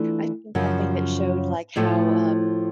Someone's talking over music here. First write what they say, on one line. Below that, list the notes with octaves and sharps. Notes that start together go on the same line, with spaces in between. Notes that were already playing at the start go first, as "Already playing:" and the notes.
I think something that showed, like, how, um,
Already playing: E3 A3 D4 F4
F#2 C#3 F3
A2 F3 A3